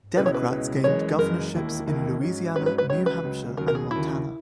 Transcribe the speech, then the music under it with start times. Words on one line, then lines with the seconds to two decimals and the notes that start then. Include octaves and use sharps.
Democrats gained governorships in Louisiana, New Hampshire and Montana.
0.16 C#2 B2 G#3 C#4 E4 B4
0.26 C#5
0.34 B4
0.50 C#2 B2 G#3 C#4 E4
0.84 F#1 F#2 E3 G#3 C#5
1.18 F#1 F#2 E3 G#3 A#4
1.53 E1 D#2 D#3 A#3 E4
1.86 E1 D#2 D#3 A#3 E4
2.21 G#2 F#3 C#4
2.55 G#2 F#3 C#4 B4
2.66 B4
2.78 B4
2.89 C#2 C#3 F#3 C#5
3.06 B4
3.23 C#2 C#3 F#3
3.57 D#2 C#3 F#3 A#4
3.68 A#4
3.75 G#4
3.91 D#2 C#3 F#3 E4